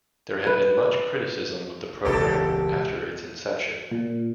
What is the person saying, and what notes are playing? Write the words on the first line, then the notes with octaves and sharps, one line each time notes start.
There had been much criticism of the program after its inception.
B4
E1 C#2 A#2 G4 A4
A#2